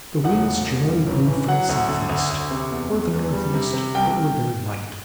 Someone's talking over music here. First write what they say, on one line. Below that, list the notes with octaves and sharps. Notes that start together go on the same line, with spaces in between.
The winds generally blew from the southeast, or the northeast, but were very light.
E1 F#5
E1
E1
G2
A1
E3
F#3 F#5
D2
D3
D2
D2
C3
E2
E2
E2
G3
C3
C3
C2 G5